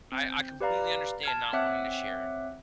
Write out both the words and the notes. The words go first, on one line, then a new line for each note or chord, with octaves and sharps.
I I completely understand not wanting to share.
C4 G6
G4 B4 D5 F5 A#5
A5 F6 G#6
C4 C#5 E5 F#5 D6 F#6